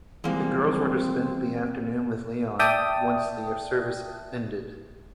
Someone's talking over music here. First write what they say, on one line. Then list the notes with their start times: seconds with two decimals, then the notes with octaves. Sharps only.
The girls were to spend the afternoon with Leon once the service ended.
0.24 E3 F3 G3 G#3 A#3 C4
2.59 D5 E5 G5 A5 D#6